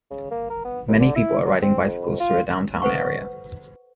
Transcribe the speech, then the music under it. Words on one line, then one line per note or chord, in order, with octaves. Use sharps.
Many people are riding bicycles through a downtown area.
C#3
A#3
A#4
B3
D#2
D3
E4
F#3
C4
F2
F4
A4 B4 C5 F#5 C#6